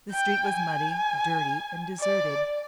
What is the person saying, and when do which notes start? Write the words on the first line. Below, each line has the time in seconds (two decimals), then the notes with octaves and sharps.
The street was muddy, dirty, and deserted.
0.12 G5
0.50 G#5
2.00 D5